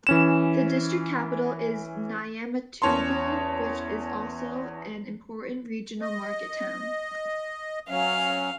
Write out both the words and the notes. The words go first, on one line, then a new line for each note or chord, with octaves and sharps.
The district capital is Niamtougou which is also an important regional market town.
E3 C#4 E7
E2 C#4 C#5 A5 C6
D#5
F#3 C#4 F5